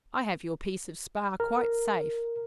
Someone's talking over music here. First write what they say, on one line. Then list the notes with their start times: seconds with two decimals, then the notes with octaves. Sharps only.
I have your piece of spar quite safe.
1.40 A#4